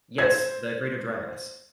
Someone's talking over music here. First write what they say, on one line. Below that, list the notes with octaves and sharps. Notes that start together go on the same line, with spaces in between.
Yes, the Greater Dryas.
C5 G#6